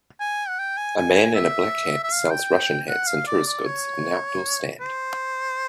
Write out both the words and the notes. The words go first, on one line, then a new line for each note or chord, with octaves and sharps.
A man in a black hat sells Russian hats and tourist goods at an outdoor stand.
G#5
F#5
G5
G#5
G#5
E5
E5
F5
G5
F#5
F5
D5
D5
C#5
C5